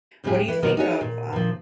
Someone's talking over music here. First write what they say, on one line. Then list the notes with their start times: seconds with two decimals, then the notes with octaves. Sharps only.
What do you think of, um
0.24 D2 A2 G3 C#4 G4 G#4
0.48 E3
0.62 B2 D#3 F3 A#3 C#4 A#4
0.77 D#4 F4 F#4 G#4 A#4 C#5
1.01 A#2
1.33 A#2 F3